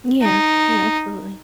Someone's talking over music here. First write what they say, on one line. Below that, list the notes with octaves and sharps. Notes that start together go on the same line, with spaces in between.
Yeah, yeah, absolutely.
D#4